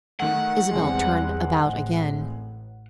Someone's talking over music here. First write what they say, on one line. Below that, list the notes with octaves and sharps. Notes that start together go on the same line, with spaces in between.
Isabel turned about again.
D#3 A3 F#5
E2 G3 G#3 C4
A1